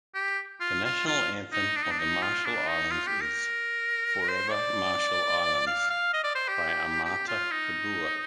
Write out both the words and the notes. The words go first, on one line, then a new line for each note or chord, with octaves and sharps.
The national anthem of the Marshall Islands is "Forever Marshall Islands", by Amata Kabua.
G4
F4
F4
F4
D#4
D4
D#4
D4
D#4
F4
D4
D#4
F4
G4
A#4
C5
D5
F5
F5
D#5
D5
C5
G4
G4
F4
D#4